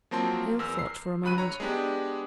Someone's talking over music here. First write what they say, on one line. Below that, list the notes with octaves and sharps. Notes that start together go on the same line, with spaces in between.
Hale thought for a moment.
F3 F#3 A#3 C4 A5 C6
E2 A#4 E6
C7
C#2 G2 F#3 B5 F#6 D#7
C#5 A#5
G#3 B3 D4 G4